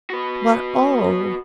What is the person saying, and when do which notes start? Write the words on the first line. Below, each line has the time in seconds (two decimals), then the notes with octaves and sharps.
But oh!
0.10 F#4 B4